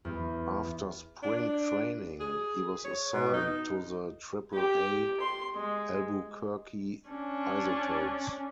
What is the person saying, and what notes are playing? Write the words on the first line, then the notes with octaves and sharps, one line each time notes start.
After spring training, he was assigned to the Triple-A Albuquerque Isotopes.
E2
D4
G#4
C#5
B2
D#4
G4
C6
G#3
C#4 D4